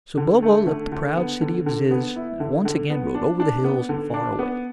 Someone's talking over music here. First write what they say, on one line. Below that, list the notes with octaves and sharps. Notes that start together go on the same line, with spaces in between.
So Bobo left the proud city of Zizz, and once again rode over the hills and far away.
D3
A3
D3
D3
B3
D3
D3
B3
E4
D3
D3
B3
D4
D4
B3
D3
D4
B3